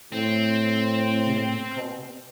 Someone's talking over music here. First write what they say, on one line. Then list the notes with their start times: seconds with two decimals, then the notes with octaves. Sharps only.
Jim!' he called.
0.12 A2 C4